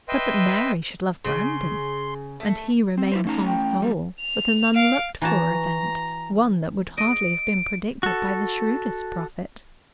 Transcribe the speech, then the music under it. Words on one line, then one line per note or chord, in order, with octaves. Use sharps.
But that Mary should love Brandon, and he remain heart-whole, was an unlooked-for event--one that would hardly have been predicted by the shrewdest prophet.
B4 D#5 E5 G5 C6
C#3 C6
A3
C4
E4 B4 C5
A3 C#4 D#4 A#5
G5
F2 G3
F7
F5 D7
E3 F#4 A5 A#5
D#5 D7
F#4 A4